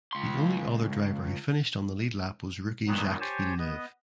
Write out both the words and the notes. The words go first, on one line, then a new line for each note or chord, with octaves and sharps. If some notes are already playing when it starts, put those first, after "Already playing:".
The only other driver who finished on the lead lap was rookie Jacques Villeneuve.
C#2 C6
G2 A#2 D#3 F#3 B3 D#4
G4 C5 C#5 G#5 A5
B3 D#5